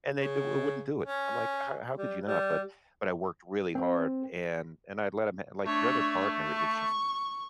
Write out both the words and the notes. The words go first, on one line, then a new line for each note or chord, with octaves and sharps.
and they d wouldn't do it. I'm like, "How how could you not?" But but I worked really hard, and and I'd let 'em like, "Your other partner is just
C#3
C#4
G3
G3
C4
A3 D4 C#5
C#6